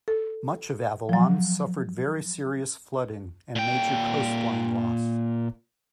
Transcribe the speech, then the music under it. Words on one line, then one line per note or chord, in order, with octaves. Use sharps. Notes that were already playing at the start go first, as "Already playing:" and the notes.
Much of Avalon suffered very serious flooding and major coastline loss.
A4
F3 F#3
A#2 G5